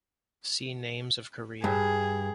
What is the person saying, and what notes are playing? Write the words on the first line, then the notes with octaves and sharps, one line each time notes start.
See Names of Korea.
G2 G#4